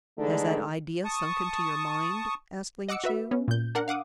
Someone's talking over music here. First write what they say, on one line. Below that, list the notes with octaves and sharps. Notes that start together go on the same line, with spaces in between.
"Has that idea sunk into your mind?" asked Ling Chu.
D3 E3 G#3 A3 D4 D#4
A5 C#6 D#6
D#5 F#5 D6 E6 C#7
F#4 B4 E5
B3 C#4
A#2 G6
D4 A#4 F#5
F5 F#5 D6 D#6